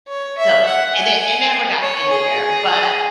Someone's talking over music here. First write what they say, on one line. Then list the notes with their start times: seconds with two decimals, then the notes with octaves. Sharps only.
So it di it never got anywhere, but,
0.08 C#5
0.38 E5
0.66 F#5
0.96 G#5
1.82 C#5
2.10 G#4